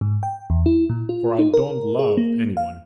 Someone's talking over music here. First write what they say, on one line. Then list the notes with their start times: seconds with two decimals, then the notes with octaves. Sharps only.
For I don't love any one.
0.01 G#2
0.23 G5
0.50 E2
0.66 E4
0.90 A#2
1.09 F4
1.39 D#4
1.54 A#4
1.99 G#4
2.17 A#3
2.57 F5